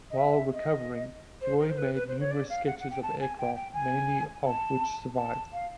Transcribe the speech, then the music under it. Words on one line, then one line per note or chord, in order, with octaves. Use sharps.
While recovering, Roy made numerous sketches of aircraft - many of which survive.
D#5
E5
D#5
C5
A#4
C5
B4
B4
C5
C#5
D5
F5
F#5
F#5
G5
A5
G#5
G5
G5
G#5
A5
A5
F5